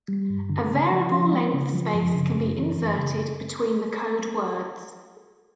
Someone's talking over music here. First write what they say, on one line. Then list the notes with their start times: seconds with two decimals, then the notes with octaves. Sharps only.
A variable length space can be inserted between the code words.
0.08 G3
0.30 G2
0.50 D3
0.70 C#3
0.92 F3
1.12 C#4
1.33 G#3
1.53 C#3
1.74 F3
1.94 F#2
2.15 C#3
2.36 F#2
2.57 E3
2.77 F#2
2.97 C#3